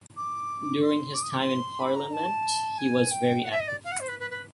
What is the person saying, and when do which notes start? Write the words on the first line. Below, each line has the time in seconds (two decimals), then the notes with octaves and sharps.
During his time in Parliament he was very active.
0.16 D6
0.81 C6
1.14 D6
1.22 D#6
1.30 D6
1.38 C6
1.80 B5
1.96 A#5
2.13 A5
2.77 G#5
3.11 G5
3.43 F#5
3.51 E5
3.59 D#5
3.67 D5
3.84 F5
3.91 F#5
3.99 C5
4.08 B4
4.19 B4
4.30 B4